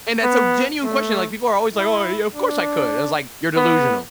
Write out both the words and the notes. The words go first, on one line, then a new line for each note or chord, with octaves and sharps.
And that's a genuine question, like, people are always, like, "Oh, yeah. Of course I could." It was, like, "You're delusional.
B3
A3
E4
D4
B3